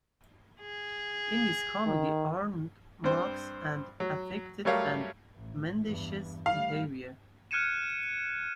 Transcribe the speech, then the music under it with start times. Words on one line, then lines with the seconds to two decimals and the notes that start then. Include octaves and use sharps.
In this comedy Aanrud mocks at affected and mendacious behaviour.
0.61 G#4
1.86 D#3
3.04 G2 C4 C5
4.00 F#3
4.65 F#3 G3 A3 A#4 C#5 F5
5.35 A1
5.85 E2 G2
6.46 G3 A3 F5
7.51 F6 F#6 G#6 C#7 D#7 E7